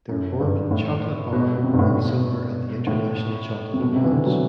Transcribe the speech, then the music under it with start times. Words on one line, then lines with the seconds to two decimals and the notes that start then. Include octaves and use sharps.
Their bourbon chocolate bar won silver at The International Chocolate Awards.
0.09 F#2
0.40 G2
0.71 A2
1.32 B2
1.57 B2
1.64 C3
1.73 G2
1.79 A2
1.95 B2
2.87 A2
3.73 C3
3.80 B2
3.96 C3
4.04 E3
4.11 D3
4.26 F#3